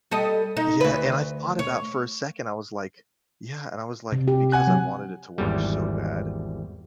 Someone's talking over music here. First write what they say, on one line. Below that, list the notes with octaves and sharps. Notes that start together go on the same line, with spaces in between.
Yeah, and I thought about, for a second, I was like Yeah. And I was like, because I wanted it to work so bad,
G3 A4 D#5
D#4
D2 B4
C#5
C3
G4
F#5 G#5 F#6
F#3
G#1 E2 G3